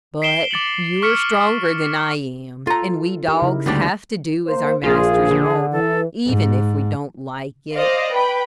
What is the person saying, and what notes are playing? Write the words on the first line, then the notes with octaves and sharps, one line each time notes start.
But you are stronger than I am, and we dogs have to do as our masters want, even if we don't like it.
B6 C7 D7 E7 G7
D6 A6 C#7 F#7
C#6 F6 B6 C#7 E7
F4 A4 A#5
D#4 G4 A#4
C#3 E4
D2 D3 G3 A3 A#3 D4
A#3 C5
A#1 F4 G#4
D3
E3 A4
G#2
C5 D5 D#5 F5
B4 G5 B5